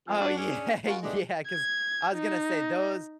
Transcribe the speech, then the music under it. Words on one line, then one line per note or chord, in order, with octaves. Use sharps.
Oh yeah, yeah, 'cause, I was gonna say those
F3 A3 C4 G#4
D4 F#4
C#4 D4 G#4
G#3 C#4 F4 F#4 A#4
G#3 A3 B3 D4 D#4 G4
G#6
D#4